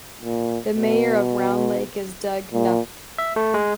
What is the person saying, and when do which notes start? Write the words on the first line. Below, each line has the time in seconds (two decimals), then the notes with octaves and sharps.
The mayor of Round Lake is Doug Knuth.
0.22 A#2
0.75 B2
2.53 A#2
3.18 E5
3.36 A3
3.54 G#3